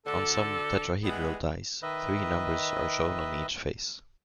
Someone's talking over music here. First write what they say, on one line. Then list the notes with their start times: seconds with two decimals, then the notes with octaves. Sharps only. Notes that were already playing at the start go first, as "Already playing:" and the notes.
On some tetrahedral dice, three numbers are shown on each face.
0.06 D2 D3 A4
1.03 E3 G3 G#3 B3
1.82 D#3 B4 D#5 E5